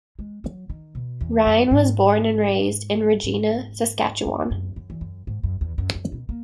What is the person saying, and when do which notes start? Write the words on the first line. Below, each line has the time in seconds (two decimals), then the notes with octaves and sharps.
Ryan was born and raised in Regina, Saskatchewan.
0.19 G#3
0.44 F#3
0.70 D#3
0.95 B2
1.21 E2
1.46 F#2
1.71 G#2
3.24 G#2
4.26 F#2
4.51 F#2
4.76 F#2
4.90 E2
5.01 F#2
5.27 G#2
5.43 F#2
5.61 E2
5.78 F#2
5.95 F#2
6.12 B2
6.29 A#3